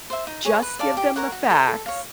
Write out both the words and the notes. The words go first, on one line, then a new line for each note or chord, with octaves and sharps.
just give them the facts,
C5 E5
D#4
G#4 C#5
B4
D5 F5 A5
G4
A#4 C#5 F#5
F#4
A4 C5
A4
C#5 F5